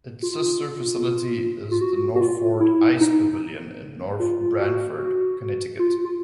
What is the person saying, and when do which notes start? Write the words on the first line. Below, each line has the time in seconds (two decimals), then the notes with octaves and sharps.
Its sister facility is the Northford Ice Pavilion in North Branford, Connecticut.
0.22 F4
1.71 F4
1.81 F#4
2.15 F#4
2.21 F4
2.60 E4
3.01 D#4
4.20 F4
4.59 F#4
4.98 F#4
5.79 F4
6.05 F4